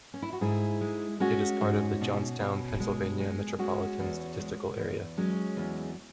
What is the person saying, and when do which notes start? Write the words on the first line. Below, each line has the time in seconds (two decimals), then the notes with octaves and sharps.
It is part of the Johnstown, Pennsylvania, Metropolitan Statistical Area.
0.14 C#4
0.22 E4
0.33 F#4
0.41 G#2 E4 G#4
0.81 G#3
1.20 G#3 C#4 F#4
1.61 G#2
2.01 B2
2.40 B2
2.80 G#3
3.20 G#3
3.48 G#4
3.58 G#3 C#4 F#4
3.99 E2
4.39 G#3
4.79 E2
5.17 F#3 G#3 C#4
5.57 E2